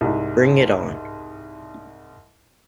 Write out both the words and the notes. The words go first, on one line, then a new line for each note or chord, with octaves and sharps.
Bring It On!
C2 G#2